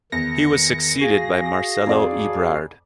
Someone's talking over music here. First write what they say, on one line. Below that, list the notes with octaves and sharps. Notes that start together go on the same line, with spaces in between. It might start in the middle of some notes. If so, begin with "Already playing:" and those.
He was succeeded by Marcelo Ebrard.
E2 D#3 A#6 C#7
F#4 G#4 F5
F2 D5